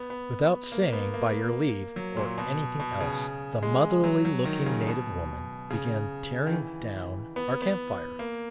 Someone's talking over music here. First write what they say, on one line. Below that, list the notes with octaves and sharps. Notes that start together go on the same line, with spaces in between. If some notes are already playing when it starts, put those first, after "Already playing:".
Without saying by your leave or anything else, the motherly looking native woman began tearing down our camp fire.
Already playing: B3
B3
A#3
B3
A#3
F#3
A#2
B2
B2
C#3
G#3
F#3
F#3
D#3
C#3
B2
C#3
D#3
E3
B3
B3
A#3